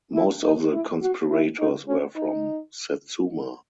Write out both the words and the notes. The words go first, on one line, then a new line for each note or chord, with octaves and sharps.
Most of the conspirators were from Satsuma.
E4
D#4
E4
F#4
E4
D#4
C#4
D#4